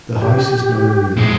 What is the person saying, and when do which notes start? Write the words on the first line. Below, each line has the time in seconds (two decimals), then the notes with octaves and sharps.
The house is now ruined.
0.22 G4
1.17 A#2 G#3